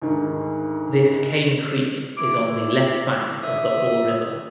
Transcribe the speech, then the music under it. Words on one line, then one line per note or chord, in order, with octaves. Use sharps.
This Cane Creek is on the left bank of the Haw River.
D2 G#2 D#3
E4 D6 D7
E5 D#6